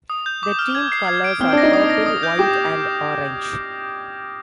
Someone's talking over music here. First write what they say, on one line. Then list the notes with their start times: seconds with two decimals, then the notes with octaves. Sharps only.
The team colours are purple, white and orange.
0.10 D#6
0.26 G6
0.43 D6
0.59 F6
0.75 G#6
0.92 C7
1.08 G#6
1.24 D7
1.41 C4 F6
1.52 D4
1.58 A#6
1.63 D#4
1.73 D#6
1.90 A#6
2.06 D#6
2.23 G6
2.39 G4 D6